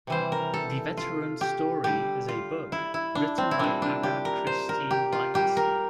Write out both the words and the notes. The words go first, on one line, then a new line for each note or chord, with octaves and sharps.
"The Veteran's Story" is a book written by Ada Christine Lightsey.
C3 E3 G3 C5
A#4
A4
F4
G4
D3 G3 G4
F4
E4
E4
D4
C4
E4
A#2 G3 D4
D4
G4
A#4
C5
A#4
G4
F4
A#2 G3 G4
A#4